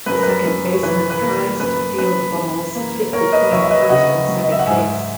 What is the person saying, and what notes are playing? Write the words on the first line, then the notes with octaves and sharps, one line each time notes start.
The second baseman tries to field balls hit between first and second base.
F#2 B4
A#4
B4
F#2
C#5
E3 B4
B4
A#3 A#4
F#2 B4
F#2 B4
E3
A#3
A#3 A#4 C#5
B4 D#5
D#2 C#5 E5
E5
B4 D#5
C#3 D#5 F#5
F#3
D#5
E5
F#5
G#2 E5 G#5